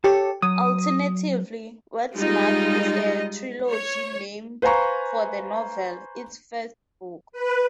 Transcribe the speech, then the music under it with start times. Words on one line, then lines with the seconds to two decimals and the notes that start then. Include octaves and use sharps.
Alternatively, "Westmark" is a trilogy named for the novel, its first book.
0.04 G4 A4 C#5
0.42 F#3 D#6
2.15 G3 G#3 D#4 F4 D#5
3.70 C#5
4.62 B4 C5 F5 G#5 A#5 C#6
7.32 B4